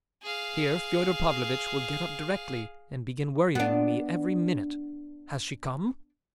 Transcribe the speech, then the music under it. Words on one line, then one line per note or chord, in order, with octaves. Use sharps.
Here Fyodor Pavlovitch will get up directly and begin worrying me every minute, 'Has she come?
G#4 F5
B3 D4